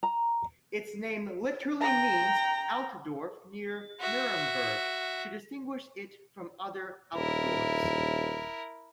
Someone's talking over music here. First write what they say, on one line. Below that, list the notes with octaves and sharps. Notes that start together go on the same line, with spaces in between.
Its name literally means "Altdorf near Nuremberg", to distinguish it from other Altdorfs.
A#5
G5 A#5
F#4 E5
D#1 E4 A#4